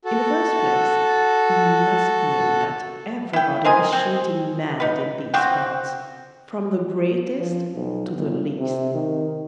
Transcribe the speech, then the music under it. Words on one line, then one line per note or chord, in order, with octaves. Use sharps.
In the first place you must know that everybody is shooting mad in these parts, from the greatest to the least.
F#4 A4
E4 G5
A#4 C5 D#5 G#5
C4
D#4 B4
C4 F4 F#4 G5
F3
B1
G1
C3
D#3